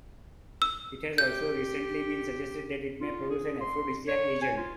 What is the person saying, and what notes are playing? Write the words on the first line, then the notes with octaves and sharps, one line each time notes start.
It has also recently been suggested that it may produce an aphrodisiac agent.
E6
G4 G6
F4
G#4
C6
C#5
G#5
F4